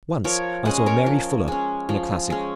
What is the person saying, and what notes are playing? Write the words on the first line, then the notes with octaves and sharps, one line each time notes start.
Once I saw Mary Fuller in a classic.
F3 A#4 C#5
G#3 C#4 D#5 F#5
A#4 C#5
F3
G#3 C#4
F3
G#3 C#4